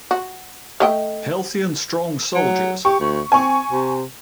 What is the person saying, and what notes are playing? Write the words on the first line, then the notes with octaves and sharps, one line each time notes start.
Healthy and strong soldiers!
F#4
A3 D#5 G5
F#3
G4 C#6
D2
C4 G#5 C#6
C3